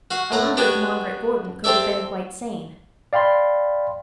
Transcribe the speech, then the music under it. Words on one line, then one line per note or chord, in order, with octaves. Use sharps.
I wonder if Margaret Gordon could have been quite sane.
F#4 F5 F#5
A2 A3 F#5 A#5
B3 D4 F#4 G4 C#5
C4 G4 A4 D5 E5
D5 F5 G5 B5 C6